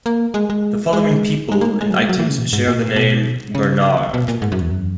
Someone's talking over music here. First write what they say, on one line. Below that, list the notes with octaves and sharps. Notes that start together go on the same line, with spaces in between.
The following people and items share the name Bernard.
A#3
G#3
G#3
G#3
G#3
A#3
G#3
G#3
F#3
G#3
F#3
E3
C#3
A#2
G#2
A#2
B2
C#3
B2
A#2
G#2
F#2
E2
F#2